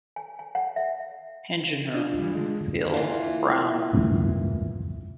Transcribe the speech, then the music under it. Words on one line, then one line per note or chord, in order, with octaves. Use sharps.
Engineer: Phill Brown.
G#5
G#5
F#5
E5
D4 F4
E3 G3
D3 G#3
E3 A#3 E4 F4